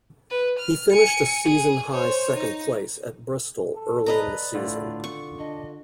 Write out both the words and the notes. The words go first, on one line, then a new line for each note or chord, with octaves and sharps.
He finished a season-high second-place at Bristol early in the season.
B4
F6
G#5 C#7
G#4
C5 C#5
D#4
A4
B4 D5 D#5 A#5
A2 D3 F4
C#6
D4 D#5